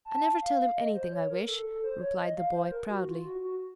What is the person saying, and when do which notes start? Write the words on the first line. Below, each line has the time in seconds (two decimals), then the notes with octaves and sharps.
"I never tell him anything I wish," replied the boy, proudly.
0.05 A5
0.41 F5
0.77 D#5
0.95 C5
1.11 C#5
1.30 A#4
1.47 A4
1.66 A4
1.84 C5
2.00 C#5
2.19 D#5
2.37 F5
2.54 C5
2.71 A#4
2.90 F#4
3.08 F4
3.25 F#4
3.42 F#4